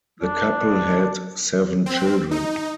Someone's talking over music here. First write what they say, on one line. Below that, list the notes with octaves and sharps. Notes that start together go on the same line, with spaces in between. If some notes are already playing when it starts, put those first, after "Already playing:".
The couple had seven children.
D4
C4
D#4